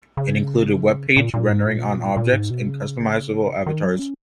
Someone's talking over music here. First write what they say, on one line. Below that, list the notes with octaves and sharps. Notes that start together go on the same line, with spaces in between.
It included web page rendering on objects and customizable avatars.
C#3
A#2
A#2
G#2
A#2
B2
A#2
A#2
G#2
B2
C#3
D#3
F#3
C#4